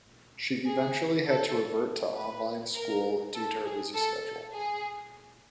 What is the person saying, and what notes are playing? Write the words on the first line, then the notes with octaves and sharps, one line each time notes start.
She eventually had to revert to online school due to her busy schedule.
G#4
A4
B4
A#4
A4
G#4
A4
A4
G#4